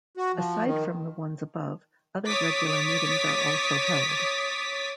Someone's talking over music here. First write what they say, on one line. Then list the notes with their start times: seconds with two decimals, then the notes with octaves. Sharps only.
Aside from the ones above, other regular meetings are also held.
0.17 F#4
0.35 F3
0.64 D#3
2.25 C#5 D6 D#6 A6 B6